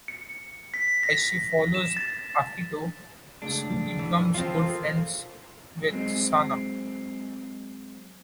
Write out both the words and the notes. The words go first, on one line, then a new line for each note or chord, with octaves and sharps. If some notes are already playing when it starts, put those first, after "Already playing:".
As she follows Akito, Shuri becomes good friends with Sana.
C#7
B6
A#6
E7
A6
C#2 A3 D4
E3
F3 C4 F4
A4 A#4
F#3 G#3 C4